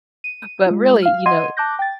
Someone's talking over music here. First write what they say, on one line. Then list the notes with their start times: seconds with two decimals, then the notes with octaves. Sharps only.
But really, you know,
0.24 D#7
0.66 G#3 F4
1.02 F5 F6
1.26 D#5 F#5 C6 G#6 D#7
1.57 A5 D6 F#6 G6 A#6
1.79 G5 A6